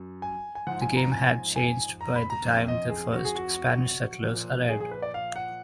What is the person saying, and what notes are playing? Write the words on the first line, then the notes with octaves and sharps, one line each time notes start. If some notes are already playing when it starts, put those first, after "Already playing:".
The game had changed by the time the first Spanish settlers arrived.
Already playing: F#2
G#5
G#5
G#2 F3 F#5
G#5
A#5
G#5
G#5
A#5
B5
A#5
F2 F3
D#5
G#4
F#4
G#4
F#4
A#2 F3
G#4
G#4
B4
D5
F5
F#5